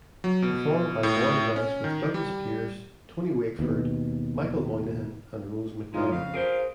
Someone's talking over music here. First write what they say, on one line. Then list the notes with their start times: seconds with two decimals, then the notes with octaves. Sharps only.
Performed by Boyd Rice with Douglas Pearce, Tony Wakeford, Michael Moynihan and Rose McDowall.
0.24 F#3
0.42 B2
1.03 A2
1.56 C#4
1.84 D#3
2.14 G3
3.59 D#2 B2
5.94 A2 G#3 D#4 F4
6.10 F2 C#3 F5
6.34 G#4 A#4 C5